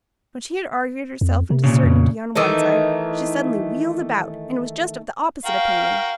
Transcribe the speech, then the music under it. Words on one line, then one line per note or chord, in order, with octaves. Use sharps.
When she had argued herself into certainty on one side, she suddenly wheeled about, and was just of the opposite opinion.
F2
C3
A#2 C#3
F2
D#3 E3 A3 D#4
F#4 A#4 F5 G5